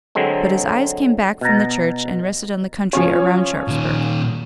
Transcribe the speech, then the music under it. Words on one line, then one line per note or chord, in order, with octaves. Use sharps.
But his eyes came back from the church and rested on the country around Sharpsburg.
D3 F#3 G#3 C4
B2 A#5
F3 C#4 C#5
A#2 D#3